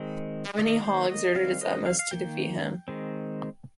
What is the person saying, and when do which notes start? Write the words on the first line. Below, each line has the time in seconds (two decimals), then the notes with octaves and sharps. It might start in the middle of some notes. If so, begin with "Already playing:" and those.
Tammany Hall exerted its utmost to defeat him.
Already playing: D#3 G#3 C4 D#5
0.59 D#3 A#3 D#5
0.84 C5
1.09 D#5
1.35 D#3 G3 C4 F5
1.61 D#5
1.86 F5
1.99 F5
2.11 D#3 A#3 G5
2.88 D#3 G#3 C4